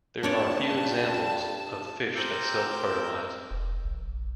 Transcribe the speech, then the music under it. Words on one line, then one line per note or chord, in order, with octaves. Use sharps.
There are a few examples of fish that self-fertilise.
G2 A#3 C4 D4 B4 C#5 D5 A5
C4 A#4 D6 E6 G6
E1
A#1